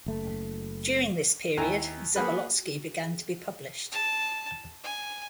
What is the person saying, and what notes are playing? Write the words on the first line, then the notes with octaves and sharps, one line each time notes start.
During this period, Zabolotsky began to be published.
F#1 A3
D#2 E4 G#5 A#5
A#3 B3 G#4 B4
A5
G#5